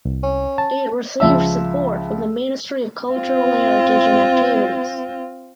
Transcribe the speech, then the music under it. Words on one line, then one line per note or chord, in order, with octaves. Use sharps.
It received support from the Ministry of Cultural Heritage and Activities.
C2
C#4
A5
C#2 F3 E5 E6
C4 F4